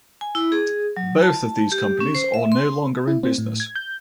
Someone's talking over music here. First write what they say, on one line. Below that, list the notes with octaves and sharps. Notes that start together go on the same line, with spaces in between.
Both of these companies are no longer in business.
G#5
E4
G#4
F#3
A5
G4
C#4
C5
E5
C6
E4
C4
A2
G#6
G6